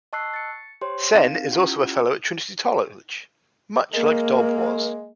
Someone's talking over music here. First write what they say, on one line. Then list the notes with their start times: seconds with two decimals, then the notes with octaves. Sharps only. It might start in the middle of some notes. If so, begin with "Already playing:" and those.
Sen is also a fellow at Trinity College, much like Dobb was.
0.13 D#5 A5 C#6 E6 F#6 C7
0.34 A6 C#7
0.81 G4 C5 C#5 C6
1.13 C4 D#4 F5 A6
1.52 C#4 E4 F4 G4 F#5
3.94 G#3 A#3 A#4